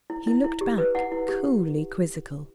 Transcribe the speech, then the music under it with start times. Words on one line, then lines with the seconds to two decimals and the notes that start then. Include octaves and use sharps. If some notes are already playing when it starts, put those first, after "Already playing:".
He looked back, coolly quizzical.
0.10 E4
0.27 E4
0.44 E4
0.61 G4
0.78 B4
0.95 E4 F#5
1.12 E4
1.29 G4